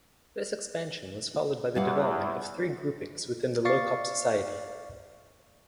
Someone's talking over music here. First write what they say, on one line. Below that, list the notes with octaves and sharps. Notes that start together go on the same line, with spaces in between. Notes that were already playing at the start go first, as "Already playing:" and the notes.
This expansion was followed by the development of three groupings within the Loikop society.
E2 G3 F5 F#5
D5 F5 C#6 A6 C7